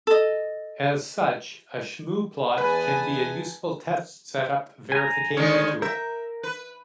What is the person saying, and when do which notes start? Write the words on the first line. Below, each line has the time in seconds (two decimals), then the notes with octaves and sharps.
As such, a shmoo plot can be a useful test setup verification tool.
0.07 A4 D#5
2.58 E2 B4 G#5 A5 D#6
4.92 G#5 A#5
5.37 D3 D#3 G#3 C#5
5.82 A#4 E5 A#5 G6
6.43 B4